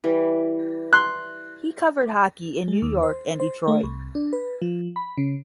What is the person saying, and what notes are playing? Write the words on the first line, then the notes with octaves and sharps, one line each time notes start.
He covered hockey in New York and Detroit.
E3 G3
C6 F#6
G#3
D#2
C5
C5
A3
C2
D4
B4
F3
B5
C#3